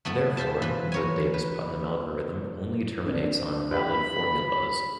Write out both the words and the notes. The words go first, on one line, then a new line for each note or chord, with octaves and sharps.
Therefore, the Davis-Putnam algorithm only terminates on valid formulas.
A3 B3 E4 A4
F4 C5 E5 A5
E3 B4
A#4 C#5 G#5
B4
C4 D4
G4 B4 B5